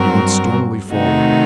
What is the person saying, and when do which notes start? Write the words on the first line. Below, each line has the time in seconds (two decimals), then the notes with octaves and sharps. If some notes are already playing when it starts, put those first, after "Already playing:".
He went stonily forward.
Already playing: G2 F#3 C4 F#4 A#4
0.92 C3 D#3 A3 D#4 F#4